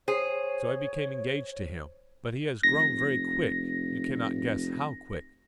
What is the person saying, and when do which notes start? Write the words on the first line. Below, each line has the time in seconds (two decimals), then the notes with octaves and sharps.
So I became engaged to him. But he has grown very quick--you cannot guess how quick.
0.08 G#4 C5 C#5
2.63 F1 A#6